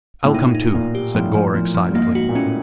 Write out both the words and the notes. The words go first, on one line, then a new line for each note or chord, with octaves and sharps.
"I'll come too," said Gore, excitedly.
A2
A#2 D#4
D#4
A#2 A#3
G4
A2 F3
F3
A2 F3
F3
G2
G#2 A#3
G#2 F#4
A#2
A2 C#4